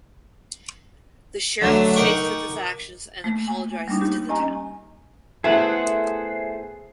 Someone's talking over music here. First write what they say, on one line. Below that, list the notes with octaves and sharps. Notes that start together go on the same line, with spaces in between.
The sheriff is faced with his actions and apologizes to the town.
D3 F#3 A3 D4
D#4 A#4 F#5 G5 C#6 D6
A3 A#3
G#5
G3 A#3 D4 D#4
G4
C#4 D#5 G#5 A#5
A3 B3 E4 G#4 C5 F#5